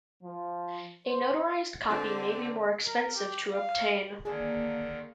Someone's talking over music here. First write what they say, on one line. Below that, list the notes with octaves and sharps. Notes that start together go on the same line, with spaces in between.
A notarized copy may be more expensive to obtain.
F3
C5
D3 C4
A#4
G4
F5
D#2 D3 D#3 A#3 D4 G#4 D5